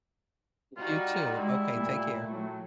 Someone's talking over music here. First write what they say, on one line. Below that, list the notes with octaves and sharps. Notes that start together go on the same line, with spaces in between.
You too, okay, take care.
G3 D#4 F4 F#4
G#3 E4
A#2 A3
A2 F#3